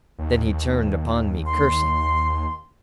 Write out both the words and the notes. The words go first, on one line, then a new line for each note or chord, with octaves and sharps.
Then he turned upon me cursing.
D#2
C6